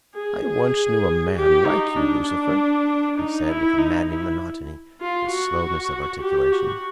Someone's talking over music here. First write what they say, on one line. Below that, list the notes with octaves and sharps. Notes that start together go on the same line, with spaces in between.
"I once knew a man like you, Lucifer," he said, with a maddening monotony and slowness of articulation.
G#4
G#4
G4
D#4
D4
D4
D#4
E4
D#4
E4
F4
F#4
G4
F#4